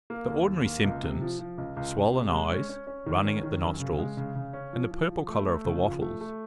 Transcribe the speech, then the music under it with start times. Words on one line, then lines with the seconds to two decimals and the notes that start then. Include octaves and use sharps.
The ordinary symptoms,--swollen eyes, running at the nostrils, and the purple colour of the wattles.
0.10 A#3
0.28 D#2
0.48 D#2
0.65 A#3
0.84 C#2
1.03 C3
1.22 F3
1.39 F3
1.58 C#2
1.77 C#2
1.96 C#2
2.14 C3
2.32 G#3
2.51 C#4
2.69 C#4
2.87 C#4
3.06 D#3
3.25 C#4
3.43 D#3
3.62 F#2
3.80 C#3
3.99 G#3
4.17 C#3
4.36 C#3
4.53 C#4
4.73 F3
4.91 F3
5.09 F3
5.28 A3
5.47 A3
5.65 C#3
5.83 F3
6.02 A3
6.21 A3